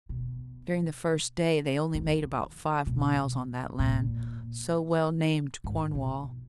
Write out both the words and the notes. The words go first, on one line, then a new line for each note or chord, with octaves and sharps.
During the first day they only made about five miles on that land, so well named Cornwall.
B2
D3
B2
A#2
G#2
B2